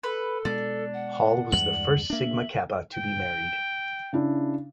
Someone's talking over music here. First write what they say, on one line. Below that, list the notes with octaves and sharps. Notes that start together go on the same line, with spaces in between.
Hall was the first Sigma Kappa to be married.
A4 B4
B2 G#3 D4
F#5
E2 G2 G#3 F#7
A#3 D4 E5
G5
C#3 D4 E4